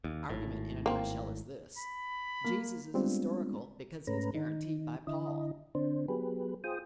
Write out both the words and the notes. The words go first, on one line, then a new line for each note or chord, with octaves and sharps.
The argument in a nutshell is this: Jesus is historical because he is guaranteed by Paul.
D#2
G#1 A2
A#3 C4
B5
A#3
G3 G#3 B3 C4 D4 F4
G#2 A3 C#4 B4 A#5
D#3 D#4
D3 E4 D#5
D3 C4 D4 C5
F#3 B3 G4 G#4 B4
F4 G#4 C5 G5 D#6